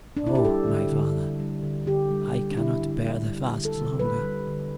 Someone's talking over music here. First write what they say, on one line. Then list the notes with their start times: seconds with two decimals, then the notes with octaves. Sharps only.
O my father, I cannot bear the fast longer!
0.17 D4
0.27 E4
0.35 G4
0.45 G3 A4
0.68 D3
0.92 D3
1.16 G3
1.40 G3
1.63 D3
1.86 D3 G4
2.11 G3
2.34 G3
2.52 D4
2.57 D3 E4
2.82 D3
3.06 G3
3.28 G3
3.53 D3
3.65 A4
3.77 D3
3.99 G3 B4
4.23 G3
4.47 D3